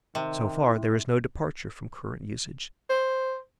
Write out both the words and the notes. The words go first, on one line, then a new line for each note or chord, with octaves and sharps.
So far, there is no departure from current usage.
C3 D#3
E4
C5